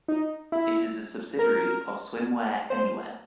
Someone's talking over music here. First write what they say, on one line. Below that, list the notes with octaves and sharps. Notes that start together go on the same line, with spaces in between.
It is a subsidiary of Swimwear Anywhere.
D#4
E4
A#4
C5